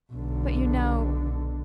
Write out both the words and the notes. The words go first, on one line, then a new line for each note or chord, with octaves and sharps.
But you know....
B1 D3